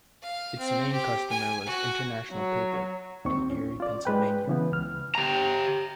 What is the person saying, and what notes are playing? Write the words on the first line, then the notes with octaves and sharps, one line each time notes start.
Its main customer was International Paper in Erie, Pennsylvania.
F5
C4
G4
G#5
F#4
F#3
D#2 D#3 C4 C#6
C#4
F4 D5
G#3 B4 G5
C#3 E3 B3
C#2 F6
G4 A#5